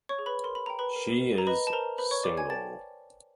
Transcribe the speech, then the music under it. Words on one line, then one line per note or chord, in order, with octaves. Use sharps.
She is single.
C#5 C#6
G#4
B4 B5
A#4 C6
B5
G5 A#5
B4 B5
A#4
A#4
A#5
B4 D#5 B5
A5
A#4 C5 A#5
B4 C5 B5
C#5 C#6
C5 D5 D6
G#5 G#6
G5 A5 A6